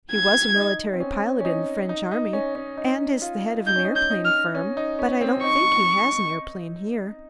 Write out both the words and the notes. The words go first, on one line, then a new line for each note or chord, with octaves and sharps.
"He was a military pilot in the French army and is the head of an aeroplane firm, but I don't think he has an aeroplane here."
G#6
D#4
C4
C#4
C#4
D#4
D#4
D#4
C#4
C#4
D#4
F4
D#4 G6
C#4
D#4
G6
D#4
F6
C#4
D#4
C#4
C4
D#4 C#6